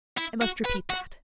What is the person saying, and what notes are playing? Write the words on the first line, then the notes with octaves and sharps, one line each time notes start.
"I must repeat that."
E4
F#4
B4
F#4